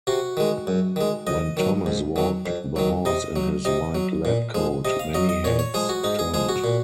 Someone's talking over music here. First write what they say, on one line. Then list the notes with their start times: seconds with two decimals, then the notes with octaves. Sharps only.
When Thomas walked the halls in his white lab coat, many heads turned.
0.07 C3 F#4
0.37 D#3 G#3
0.67 F#2
0.96 D#3 G#3
1.27 F2 D#5
1.57 D#3 F#3
1.86 G#2
2.16 D#3 F#3
2.46 F2
2.76 D#3 F#3
3.05 C3 D#5
3.36 F#3
3.65 C3 D#5
3.95 F#3
4.25 A#2
4.54 F3 G#3
4.85 C3 D#5
5.00 F5
5.14 F#3 D#5
5.29 D#5
5.44 A#2 C#5
5.59 C#5
5.74 F3 G#3 G#4
5.89 F#4
6.04 G#2 D#4
6.19 G#4
6.34 F3 G#3 G#4
6.49 F#4
6.64 A#2